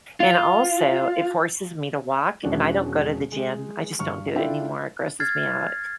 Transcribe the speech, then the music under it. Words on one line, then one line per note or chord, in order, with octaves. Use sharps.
and, also, it forces me to walk, and I don't go to the gym, I just don't do it anymore, it grosses me out,
F4
E1 G#3 C#4 D4 F#4 D5
G#3
G2 C#6 F6
D4 E4 F4 A4 E5 G5
F6 G#6 A6 C7